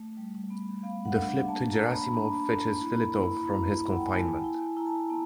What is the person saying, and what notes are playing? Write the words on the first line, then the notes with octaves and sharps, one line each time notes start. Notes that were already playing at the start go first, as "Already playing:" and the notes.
The flipped Gerasimov fetches Filitov from his confinement.
Already playing: A3
G3
B3
B3 F5
F#5
D4
A#3 A5
A#5
A#3
B5
D4 A#5
A#3 A#5
E4 B5
A#5
B5
E4
E4 A#5
E4
F#5
G5
G#5
E4 A5
E4
E4 A#5
A5
A#5
B3